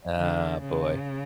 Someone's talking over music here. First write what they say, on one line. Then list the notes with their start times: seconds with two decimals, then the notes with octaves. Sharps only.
Oh boy.
0.17 D3
0.61 C#3